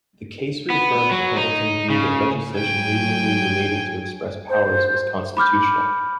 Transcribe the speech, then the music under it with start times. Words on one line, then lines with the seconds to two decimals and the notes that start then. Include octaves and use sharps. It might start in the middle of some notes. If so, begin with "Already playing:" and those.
The case reaffirmed Hamilton's view that legislation reasonably related to express powers was constitutional.
0.70 B3
1.11 F#3
1.36 D#4
1.90 C#3
2.56 F#3 G5 G#5
4.50 C5
5.37 B5 D6 F6 G6